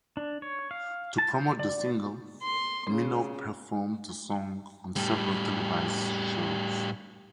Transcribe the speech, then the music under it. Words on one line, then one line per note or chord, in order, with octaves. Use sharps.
To promote the single, Minogue performed the song on several televised shows.
D4
C#5
F5
A5
G6
D5
C6
C#3
A2 G3